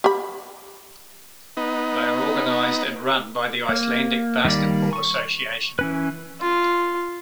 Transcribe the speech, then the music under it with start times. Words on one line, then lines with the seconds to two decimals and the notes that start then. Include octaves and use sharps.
They are organized and run by the Icelandic Basketball Association.
0.04 G4 B5
1.57 B3 D#4
3.69 A#3
4.45 D#3 G3 A#3 D5
4.93 C#6
5.79 E3 C#4 B4
6.41 F4